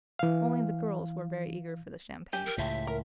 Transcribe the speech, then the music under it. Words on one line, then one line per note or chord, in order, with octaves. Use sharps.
Only the girls were very eager for the champagne.
E3 F5
G4 G#5
A#4
C#2 A2 E5
A#4